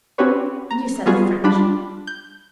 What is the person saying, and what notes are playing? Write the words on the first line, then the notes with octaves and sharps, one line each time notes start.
And you said the French...
C4 C#4 F#4 G4 B4 C#5
A#5
G3 B3 F4 F#4 G#4
G3 D4 F4 B5
G6